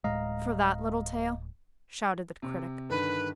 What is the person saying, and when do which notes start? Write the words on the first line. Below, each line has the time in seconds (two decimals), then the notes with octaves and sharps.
"For that little tale," shouted the Critic.
0.04 D1 A2 G#3 D#5 F5 A#5
2.42 C3
2.89 G2 D3 D#3 B4